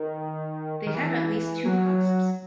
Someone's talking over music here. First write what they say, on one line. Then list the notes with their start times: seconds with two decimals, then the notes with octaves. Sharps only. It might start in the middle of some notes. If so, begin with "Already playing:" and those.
They have at least two cusps.
Already playing: D#3
0.87 D#3
0.95 E3
1.65 F#3